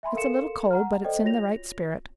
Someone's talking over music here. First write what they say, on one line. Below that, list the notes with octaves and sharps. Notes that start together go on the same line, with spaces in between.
It's a little cold, but it's in the right spirit.
E5 G#5 B5 C6
A4 A#4 F5 C6 C#7 E7
F#5 A#5 F6
A4 C5 D5 D#5 G5
F4 F#4 C#5 A#6 F7